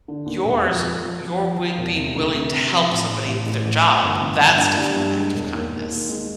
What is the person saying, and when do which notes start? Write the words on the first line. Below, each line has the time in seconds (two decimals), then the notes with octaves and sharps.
Yours your way being willing to help somebody with their job, that's definitely an act of kindness.
0.08 D3
0.26 D#2
0.45 E1
0.65 F2
0.82 F2
1.01 F3
1.20 F3
1.39 F3
1.58 F3
1.77 E1
1.96 C3
2.15 D2
2.33 C3
2.52 C3
2.71 F3
2.89 A1
3.08 A1
3.27 A1
3.46 A1
3.65 A1
3.84 A1
4.02 G1
4.21 G1
4.40 G1
4.58 G2
4.78 G3
4.96 G2
5.15 G#3
5.34 E1
5.53 D#2
5.71 D#2
5.91 D#2
6.09 G#3